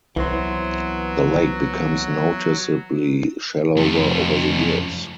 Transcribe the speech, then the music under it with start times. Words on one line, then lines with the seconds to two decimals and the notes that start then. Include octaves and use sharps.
The lake becomes noticeably shallower over the years.
0.16 C2 E3 F#3 B3 C5
3.77 F2 A3